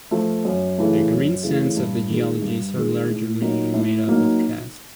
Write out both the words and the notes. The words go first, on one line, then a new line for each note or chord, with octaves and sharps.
The green sands of the geologist are largely made up of casts.
F3 A3
F#2
C#3 E3 A3
F#2
C#3 E3 A3
G2
D#3 G#3
G2
D#3 G#3
A2
F#3 A#3 D#4
A2
F#3 A#3 D#4